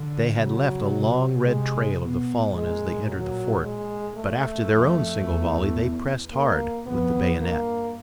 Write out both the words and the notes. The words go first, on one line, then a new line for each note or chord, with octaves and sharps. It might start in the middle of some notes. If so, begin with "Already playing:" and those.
They had left a long red trail of the fallen as they entered the fort, but after their own single volley they pressed hard with the bayonet.
Already playing: D3
C#3 F#3
C3
G#3
B2
A#2 G#3
F#3
G#3
A3
F2
E2
A#3
F2 B3
G2 A#3